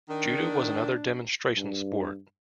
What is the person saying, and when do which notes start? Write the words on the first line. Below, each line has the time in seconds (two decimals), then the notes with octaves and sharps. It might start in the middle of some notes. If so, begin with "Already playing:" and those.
Judo was another demonstration sport.
0.10 D#3 D4
1.57 G2